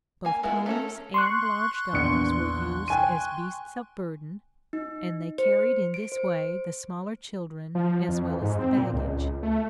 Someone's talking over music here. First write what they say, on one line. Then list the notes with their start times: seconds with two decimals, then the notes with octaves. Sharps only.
Both ponies and large dogs were used as beasts of burden, and they carried in this way the smaller children as well as the baggage.
0.25 A#3 G#5
0.43 G#3 A#3 B3 E4 F4
0.66 A3 C#4 A4 A#4
1.14 C6 C#6 F#6
1.93 A#1 E2 C#7
2.88 G5 G#5 D#7
4.73 D#4
5.38 C5
5.94 D7
6.12 C5
7.75 F3
8.09 F2
8.41 G#2
8.59 C4
8.78 A#2
8.94 C#2
9.43 A3